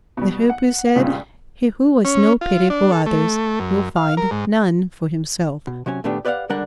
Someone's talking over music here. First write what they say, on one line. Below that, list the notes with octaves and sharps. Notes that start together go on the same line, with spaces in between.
The Hoopoe said, "He who has no pity for others will find none for himself."
B2 G3
F#5
C#2 G2 A#2 C#3
C#4
F4
D4
A4
A3
F#2
F5
A#4
G#2
B2
C3 F#3 C#4 G#5
A#2 D#3 A3 B3 D4 G4
G4 B4 D5 D#5 F5 F#5
C#2 D3 G3 D4 A#4 F#5